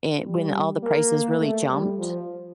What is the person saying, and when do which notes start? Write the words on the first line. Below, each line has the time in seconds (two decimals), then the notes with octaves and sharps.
an when all the prices really jumped
0.25 G3
0.83 A#3
1.40 A3
1.69 G3
1.98 F3